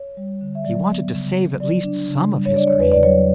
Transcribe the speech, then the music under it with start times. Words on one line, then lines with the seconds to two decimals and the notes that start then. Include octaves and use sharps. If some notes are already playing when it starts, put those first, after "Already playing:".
He wanted to save at least some of his grain.
Already playing: C#5
0.17 G3
0.41 D3
0.55 E5
0.64 F#3 D5
0.89 B3
1.13 C#3
1.36 C#3
1.60 F#3 D5
1.83 D4
2.08 C#3
2.32 G3
2.46 C#5
2.56 D4 D5
2.68 C#5
2.79 E2 B4
2.92 D5
3.03 F#3 C#5